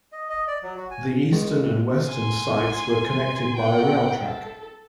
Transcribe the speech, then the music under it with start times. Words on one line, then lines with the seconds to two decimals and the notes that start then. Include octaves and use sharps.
The eastern and western sites were connected by a rail track.
0.12 D#5
0.30 D#5
0.47 D5
0.63 F#3
0.77 F#4
0.91 G#5
1.32 G#3
2.08 G#5 C6
3.56 F#5 G5
4.24 A4